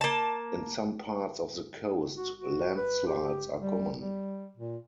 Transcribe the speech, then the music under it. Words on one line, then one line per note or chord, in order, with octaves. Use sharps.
In some parts of the coast, landslides are common.
A#3 A5
F#4
F#4
B4
G4
G3
G3
A#2